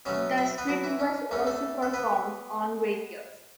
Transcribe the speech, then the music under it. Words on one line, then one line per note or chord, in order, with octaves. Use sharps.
The script was also performed on radio.
B2 F#3 A3 C#4 C#5
E4 E5
B3 B4
F#3 F#4
E3 E4
C#4
E2 E3 A3 C#4
A3 A4
A4
B3 B4